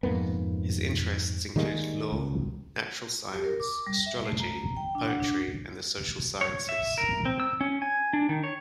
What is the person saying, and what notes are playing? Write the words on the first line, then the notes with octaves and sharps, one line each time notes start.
His interests included law, natural science, astrology, poetry and the social sciences.
F2 G#2 A#3 B3
D#3 G3 G#3 A#3
C#2
G4
A#4
D6
G3
E5
A3
A#5
A#5
G5
D4
F#5
D4
C#5
E5
A#4
C4
E6
C#4
G#5
D4
D#3
C#5